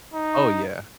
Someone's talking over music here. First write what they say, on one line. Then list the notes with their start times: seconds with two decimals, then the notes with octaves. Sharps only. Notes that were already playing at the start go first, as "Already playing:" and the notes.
Oh, yeah.
0.14 D#4